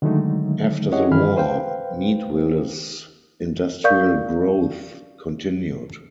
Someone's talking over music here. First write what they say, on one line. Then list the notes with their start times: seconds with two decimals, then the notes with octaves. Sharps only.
After the war, Meadville's industrial growth continued.
0.02 D3 D#3 F#3 G#3 A3 D#4
0.92 E4 G4 G#4 C#5 D#5 F#5
1.11 G2 D#3 E3 G#4 B5 F6
1.37 B4 C5 F5 G5
3.84 A#4 D5 F5 C#6 G6